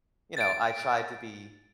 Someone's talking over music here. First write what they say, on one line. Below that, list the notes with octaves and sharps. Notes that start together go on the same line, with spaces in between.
you know, I tried to be
A6 D7